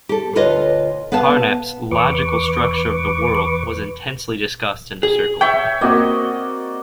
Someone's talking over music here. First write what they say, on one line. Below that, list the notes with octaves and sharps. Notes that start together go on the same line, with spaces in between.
Carnap's "Logical Structure of the World" was intensely discussed in the Circle.
G4 A4
D2 F4 B4 C#5 D#5
B3 B4 F5 A5
E2 B4 C#6 D6
G#4
C#5 E5 G5 C#6
A#3 C4 F#4 D5 D#5